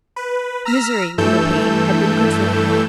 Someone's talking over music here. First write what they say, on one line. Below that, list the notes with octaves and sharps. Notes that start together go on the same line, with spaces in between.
Misery, we repeat, had been good for him.
B4
A#5 E6 F6 A#6 B6
G2 E3 A3 A4 E6 G6